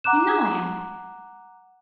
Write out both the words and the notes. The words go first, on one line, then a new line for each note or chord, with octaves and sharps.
You know I am!
F#5 A#5 D6 F#6 E7